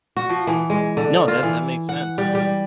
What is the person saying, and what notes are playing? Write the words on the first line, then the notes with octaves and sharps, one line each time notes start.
No, that that makes sense, um,
F#4
F3
E3
G#3
D3
F4
E3
F#5
G3
G3